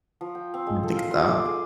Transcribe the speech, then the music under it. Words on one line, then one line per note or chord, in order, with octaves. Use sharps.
didn't think of that.
F3
G5
C4
G#3
A4
F5
C6
D6
G#4